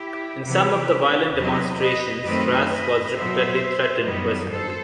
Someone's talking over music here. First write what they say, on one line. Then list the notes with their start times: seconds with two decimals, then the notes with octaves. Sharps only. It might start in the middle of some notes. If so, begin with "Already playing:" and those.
In some of the violent demonstrations Ras was repeatedly threatened personally.
Already playing: E4 G4
0.44 C3 E3 B3 G4 B4
1.34 E2 C3 F#3 B4 D#5
1.79 B4 D#5
2.25 F#2 D#3 A3 C4 B4 D#5
2.69 B4 D#5
3.14 B2 F#3 B3 C5 E5
4.04 F#2 D#3 G3 B3 B4 D#5
4.49 A4 C5